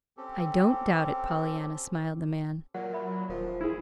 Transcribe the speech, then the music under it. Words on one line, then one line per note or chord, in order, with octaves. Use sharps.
"I don't doubt it, Pollyanna," smiled the man.
C4 C#4 G4 A4
A#2 F#3 F#5
E5 B5
D#1 F3 A#4
E4 G#4